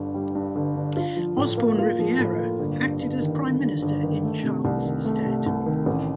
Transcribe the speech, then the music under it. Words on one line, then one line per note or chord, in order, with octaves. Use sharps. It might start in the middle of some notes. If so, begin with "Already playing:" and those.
Osborne Riviere acted as Prime Minister in Charles' stead.
Already playing: G1 G2 D3
G3
G2
G1
D3
F4
F3
A2
A#3
F4
F3
A2
A#3
G1
G2
G1
D#3
G1
G2
G1
D#3
A3
C3
C2
D#3
A3
C3
C2
D#3
A1